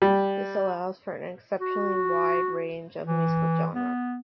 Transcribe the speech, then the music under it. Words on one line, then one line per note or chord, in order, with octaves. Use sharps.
This allows for an exceptionally wide range of musical genres.
G3
F#4
E3
B3